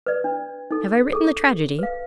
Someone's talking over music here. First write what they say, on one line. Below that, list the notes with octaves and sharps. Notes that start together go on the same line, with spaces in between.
Have I written the tragedy?
B4 D5
D4
D#4 A4
G#4 A4
B4 F5